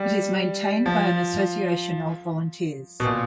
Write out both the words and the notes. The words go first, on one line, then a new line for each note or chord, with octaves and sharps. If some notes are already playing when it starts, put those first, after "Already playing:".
It is maintained by an association of volunteers.
Already playing: G3
F3
B2
A#2